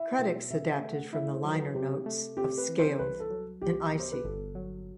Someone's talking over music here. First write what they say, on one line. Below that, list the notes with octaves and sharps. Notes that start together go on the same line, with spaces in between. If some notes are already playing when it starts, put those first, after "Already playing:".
Credits adapted from the liner notes of "Scaled and Icy".
Already playing: E4 E5
B2
C3 E5
E5
A3
F#5
E4 E5
C5
F#3
B4
C3 G4
A3
C4 G4
B4
E3
C5
C2 B4
A4
F#3
C2 G4
B2
C5
B4
G1 A4
F#3